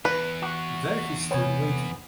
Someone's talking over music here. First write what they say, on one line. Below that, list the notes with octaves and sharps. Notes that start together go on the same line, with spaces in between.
There he stood, waiting.
E2 B4
F#4
C3 B3 C5 C#5 G#5